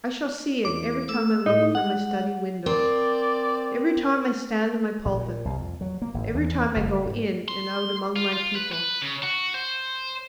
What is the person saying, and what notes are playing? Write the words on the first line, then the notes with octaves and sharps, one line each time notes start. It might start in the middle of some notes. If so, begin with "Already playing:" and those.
I shall see it every time I look from my study window--every time I stand in my pulpit--every time I go in and out among my people.
E2 D6
A3 E6
A2 D#4
G#3 F#5
C4 A#4 D5
A#1
A#2
C2
F2
F#3
A#3
G#1
E2
F#1
G#2
C6
F4
F4
B4
B4
C#3
F#4
C5